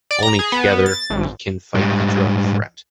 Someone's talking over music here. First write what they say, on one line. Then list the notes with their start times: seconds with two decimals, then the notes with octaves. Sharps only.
Only together we can fight the drug threat.
0.11 D5
0.22 A#5
0.39 G#4
0.52 B3
0.86 A6
1.10 G#1
1.75 G#2 G3